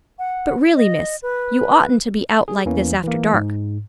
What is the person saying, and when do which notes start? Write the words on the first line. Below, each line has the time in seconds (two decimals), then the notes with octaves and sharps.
But really, miss, you oughtn't to be out like this after dark.
0.19 F#5
0.76 D#5
1.22 B4
2.48 G#4
2.66 E2 E3 A#3 C#4
3.04 E3 A#3
3.34 G#2